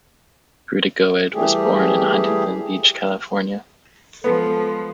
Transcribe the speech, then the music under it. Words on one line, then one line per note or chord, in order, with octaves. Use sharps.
Grootegoed was born in Huntington Beach, California.
E3 G3 A3 G4 G#4
F3 G#3 B3 A4